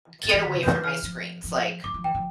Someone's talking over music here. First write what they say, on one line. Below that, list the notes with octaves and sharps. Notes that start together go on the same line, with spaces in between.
get away from my screens, like
E3 A6
E3
D3 B6
C3
E3 G6
F6
F3
F3
E3 D6
F3
E3 G5
F3